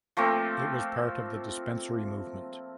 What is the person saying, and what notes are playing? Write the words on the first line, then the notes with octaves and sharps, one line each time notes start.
It was part of the Dispensary Movement.
F3 A3 A#3 C4